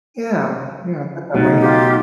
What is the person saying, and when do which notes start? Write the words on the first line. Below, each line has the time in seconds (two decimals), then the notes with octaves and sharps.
Yeah, yeah, definitely.
1.35 B2 F#3 A3 D#4
1.60 F4 G4